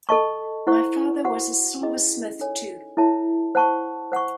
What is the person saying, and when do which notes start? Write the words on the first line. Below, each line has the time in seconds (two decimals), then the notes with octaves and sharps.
My father was a silversmith, too.
0.09 A4 D#5 A5 C#6
0.67 E4 C5 F#5 C#6
1.24 F#4 C5 F#5 C#6
1.81 C#4 E4 G#4 D#5
2.40 D#4 A4 C#5 G#5
2.97 E4 A4 C#5 E5 A5
3.55 C5 F#5 A5 C#6
4.12 C5 F#5 C#6